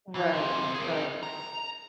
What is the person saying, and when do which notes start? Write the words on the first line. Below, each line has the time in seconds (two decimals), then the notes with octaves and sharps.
Right, right.
0.15 E3
0.33 F#2 C3
0.74 G#4 A#4
1.23 A#5